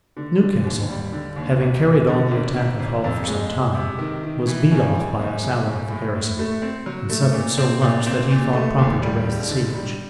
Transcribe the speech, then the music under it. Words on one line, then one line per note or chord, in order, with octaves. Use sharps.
Newcastle, having carried on the attack of Hull for some time, was beat off by a sally of the garrison, and suffered so much that he thought proper to raise the siege.
D3
D3
D#2
G3
D3
D#2
G#1
G#1
D3
G#1
G#1
G#1
F2
G#3
G#3
C3
D#3
D#3
E3
F#2
C#3
F#2
C#3
F#2
A2
A2
A3
C4
F#3
A3
A#2
C4
A#2
C4
A#2
A3
D#2
G3
E1
D3
G3